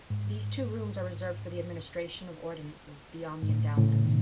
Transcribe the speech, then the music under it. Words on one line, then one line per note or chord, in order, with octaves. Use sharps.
These two rooms are reserved for the administration of ordinances beyond the Endowment.
G#2
G#2
A2
A2 C#3
B2 D#3